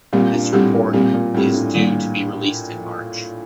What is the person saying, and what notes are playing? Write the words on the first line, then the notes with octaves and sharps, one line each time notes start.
This report is due to be released in March.
A#2 G3 C4 G4
G2
A2 G3 C4 G4
A#2
A#2 G3 C4 G4
A#2
A2 G3 C4 G4
G2
D#3 G3 A#3